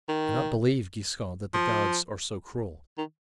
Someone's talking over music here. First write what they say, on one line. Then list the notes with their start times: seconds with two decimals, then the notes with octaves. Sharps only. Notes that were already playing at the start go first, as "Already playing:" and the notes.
I cannot believe, Giscon, that the gods are so cruel.
0.09 D#3
1.54 F3
2.98 D#3